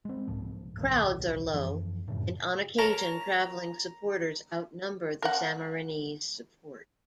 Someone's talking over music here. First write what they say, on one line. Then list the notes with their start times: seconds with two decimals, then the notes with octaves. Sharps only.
Crowds are low, and on occasion travelling supporters outnumber the Sammarinese support.
0.05 G#3 C4
0.28 F1 C2 G#2 F3
0.77 D1 B1 G2 D#3
1.54 F#2 E3 F3
2.08 F#2 A2 C#3
2.79 A#4 C#5 A5 A#5
5.22 A#4 F#5